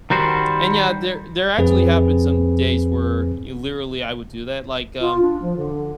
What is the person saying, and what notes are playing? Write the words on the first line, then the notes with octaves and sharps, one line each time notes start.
and yeah, there there actually happened some days where y literally I would do that. Like, um,
D#3 G3 F#4 C5
F2 C4 G#4 B4
F4
D4
F3
D3